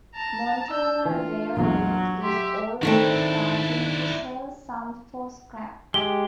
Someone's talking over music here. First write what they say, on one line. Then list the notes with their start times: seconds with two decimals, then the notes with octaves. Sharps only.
Montana Rail Link is also starting to sell some for scrap.
0.15 A5 A#5
0.70 D5 E6 G6
1.06 E3 D4 F4
1.57 A#1 E2 F#3
2.22 G4 E5 C6
2.83 D#3 A3 C4 D4 E4
5.94 G#3 G4 G7